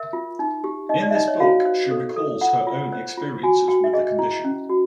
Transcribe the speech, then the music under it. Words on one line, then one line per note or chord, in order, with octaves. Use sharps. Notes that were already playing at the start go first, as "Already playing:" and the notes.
In this book she recalls her own experiences with the condition.
Already playing: A#4 E5
F4
D#4
G4
D#4 D#5
D5
E5
D#4 D#5
C#5
F#4 F5
C5
A4
A4
F4 F#5
F4
C5
F4
F#4 G#5
F#4 G5
E5
G#4 D#5
E4
C#4
F#4